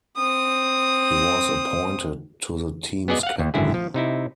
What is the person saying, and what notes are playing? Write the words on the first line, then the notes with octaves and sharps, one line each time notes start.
He was appointed the team's captain.
C4 D#6
B3 F#4 G#4 D5 D#5 G#5
F5 F#5
D#2
G#1 F#2 D3 E4 G#4
F3
C3 D#4 E4